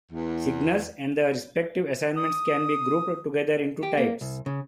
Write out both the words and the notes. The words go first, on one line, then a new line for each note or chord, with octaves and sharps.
Signals and the respective assignments can be grouped together into types.
E2
D#6
G4
A#3
C2
C#3